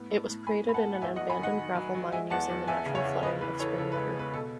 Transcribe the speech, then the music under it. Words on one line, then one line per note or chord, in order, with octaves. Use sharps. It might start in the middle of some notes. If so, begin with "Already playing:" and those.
It was created in an abandoned gravel mine using the natural flooding of springwater.
Already playing: A2 B3
A2
A2
A2 G#5 B5
A2 B5
F#5 A5
A2
F#5
E2 E5 G#5
D#5 F#5
F#3
G#5 B5
D#3 D#5 F#5
D#3
F#3
F#3
G#3 E5 G#5
E2 F#5 A5
E2
E2 E5 G#5
C#3
C#5 E5
E2
C#3 B4 D#5
E3 B4
E3 A4 C#5
C#3 A4
B4
G#3
B3 B4
B2 A4